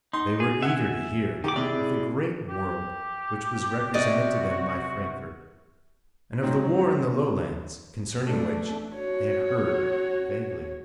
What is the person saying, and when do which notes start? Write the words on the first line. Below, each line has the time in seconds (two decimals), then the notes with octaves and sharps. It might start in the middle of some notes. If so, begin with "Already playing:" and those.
They were eager to hear of the great world which was represented to them by Frankfort, and of the war in the lowlands concerning which they had heard vaguely.
0.13 D#4 C6
0.40 G#4
0.62 E5 F#5 G#5
1.44 D#3 G4 D6
1.56 C3 E4 G#4 D5
2.49 G4
3.94 C3 F#4 D5 D#5
6.42 G#2 F#3 C4 C#4 D#4
8.25 A3 D4
8.94 F#4 C#5